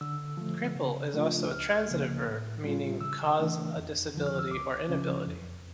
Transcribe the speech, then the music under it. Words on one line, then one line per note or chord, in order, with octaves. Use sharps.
Cripple is also a transitive verb, meaning "cause a disability or inability".
D3 E6
F3 A3
C#3
F3 A3 D4 F4
C#2 F6
C#3 F3 A#3
A2
G3 C#4 F4
C#3 E6
E3 A3 D4
F2
D3 F3
F6
E6
C#2 D6
C#3 F3 C#4
F2